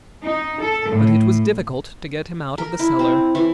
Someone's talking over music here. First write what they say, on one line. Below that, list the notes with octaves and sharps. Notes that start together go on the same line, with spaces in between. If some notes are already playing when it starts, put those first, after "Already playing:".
But it was difficult to get him out of the cellar.
D#4
A4
A2
A#4
E4
C4
E3